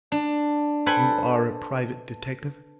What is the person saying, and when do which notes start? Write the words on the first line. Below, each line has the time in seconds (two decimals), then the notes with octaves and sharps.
"You are a private detective?"
0.12 D4
0.86 A4 B4 C5 G5 G#5 B5